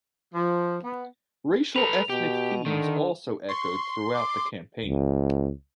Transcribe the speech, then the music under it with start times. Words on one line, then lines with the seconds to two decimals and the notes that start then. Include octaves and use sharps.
Racial-ethnic themes also echoed throughout the campaign.
0.34 F3
0.82 B3
1.76 A4 B4 F7
2.10 B2 G4
2.66 D3 D#3
3.49 C6 C#6
4.14 D6
4.86 C#2